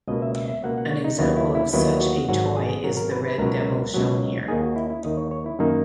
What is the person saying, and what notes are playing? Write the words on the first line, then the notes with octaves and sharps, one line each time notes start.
An example of such a toy is the red "devil" shown here.
C#2 B2 A#3 D#5
E5
E5
E5
C#2 B2 A#3 F#5
F#5
C#5
D#4
D#2 D#3 F#3 B3 E4
E4
E4
D#2 D#3 F#3 B3 E4
F#4
G#1 G#2 F#3 F#4
G#4
G#1 G#2 F#3 A#4
A#4
B4
B4
C#2 B2 F#3 A#4
C#2 B2 F#3
D#2 D#3 A#3 D#4 G#4
F#4
E4
E4
D#2 D#3 A#3 D#4 D#5
C#5
C#5
E4
F#2 D#3 A#3 D#4